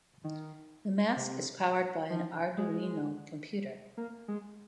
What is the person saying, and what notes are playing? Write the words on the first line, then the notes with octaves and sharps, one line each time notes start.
The mask is powered by an Arduino computer.
D#3
C3
F3
G#3
A#3
G#3